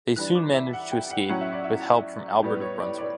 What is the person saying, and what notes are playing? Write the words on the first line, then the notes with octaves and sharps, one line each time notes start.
They soon managed to escape with help from Albert of Brunswick.
E3 G3 D4 F#6
D6
E5
F#5
G5
F#5
A2 F#3 C#4 F#5
E5
D5
E5
A2 G3 B3
C#5
D5
D5